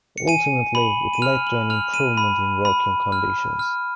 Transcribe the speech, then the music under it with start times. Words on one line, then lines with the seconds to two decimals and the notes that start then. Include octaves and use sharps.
Ultimately it led to an improvement in working conditions.
0.18 C#7
0.28 G#5 D#7
0.75 B5 F#7
1.13 D#7
1.22 F6 F7
1.47 F#7
1.70 F6 F7
1.94 D#7
2.17 B5
2.65 B5
3.12 F6
3.59 F6